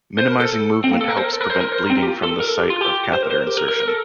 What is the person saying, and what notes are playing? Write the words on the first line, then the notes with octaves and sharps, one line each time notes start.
Minimizing movement helps prevent bleeding from the site of catheter insertion.
C5
A#4
A4
C4
A#3
A4
A#4
C5
A#4
A4
A#4
C5
A#4
C5
A#4
C4
G4
F4
A4
A#4
A4
G4
F4
G4
C5
A#4
C5
A#4
G4
A#4
A#4
A#4
A4